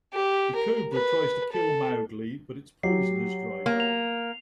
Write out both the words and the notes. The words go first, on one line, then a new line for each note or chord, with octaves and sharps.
The cobra tries to kill Mowgli but its poison has dried up.
G4
A#4
B4
A4
F#3 G4 C7
A#3
F7